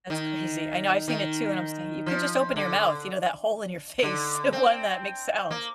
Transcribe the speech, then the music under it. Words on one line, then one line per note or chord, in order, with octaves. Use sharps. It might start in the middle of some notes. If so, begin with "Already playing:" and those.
That's crazy, I know, I've seen it too, and I would say, "You could just open your mouth, you know? That hole in your face, the one that makes sounds."
D#3
D#3
F3
D3
D3
C4
A#3